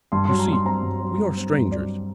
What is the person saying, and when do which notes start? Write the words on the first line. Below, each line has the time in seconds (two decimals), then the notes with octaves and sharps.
"You see, we are strangers."
0.12 G2 C6
0.25 F#3 C6
0.39 A#5
0.48 G2 C6
0.65 C4 A#5
0.83 G2
1.01 F#3
1.18 G2
1.37 C4
1.54 G2
1.71 F#3 D5